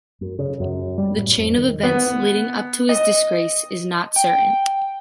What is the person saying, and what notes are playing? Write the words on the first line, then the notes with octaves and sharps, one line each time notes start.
The chain of events leading up to his disgrace is not certain.
F#2
C#3
F#2
G3
A2
F2
D#3
B3
D#5
G5